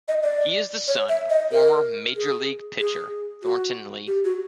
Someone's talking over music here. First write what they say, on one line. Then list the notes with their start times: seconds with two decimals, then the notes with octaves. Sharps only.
He is the son of former major league pitcher Thornton Lee.
0.08 D#5
0.23 D5
0.88 C#5
1.09 E5
1.30 D#5
1.52 A#4
2.16 G#4
2.80 G#4
3.43 F#4
4.07 G4
4.25 F#4